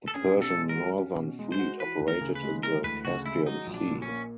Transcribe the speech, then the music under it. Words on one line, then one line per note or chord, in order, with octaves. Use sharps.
The Persian northern fleet operated in the Caspian Sea.
A4
C#4 G#4
B2
A4
G#3
A#4
F#4
C#4
B2
G#3
C5
F#4
E3 B4
D2
A#4
C#3
B4
G#3
E3 A#4
D2 B4
C#3 F#4
G#3 E4
F#3 D#4
A#1
D4
A#2
C#4
A#3